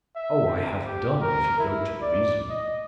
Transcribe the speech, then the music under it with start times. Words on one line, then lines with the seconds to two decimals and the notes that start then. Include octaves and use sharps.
Oh, I have done if you go to reason!
0.16 E5
0.47 C4
0.86 G4
1.22 A#4
1.59 E4
2.02 D5
2.50 D#5